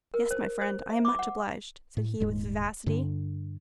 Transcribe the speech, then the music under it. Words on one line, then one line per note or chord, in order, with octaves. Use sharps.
"Yes, my friend, I am much obliged," said he with vivacity.
A#4
C5
C5
E5
D6
F#5
A2
D#1 G#2 G#3
G2 D3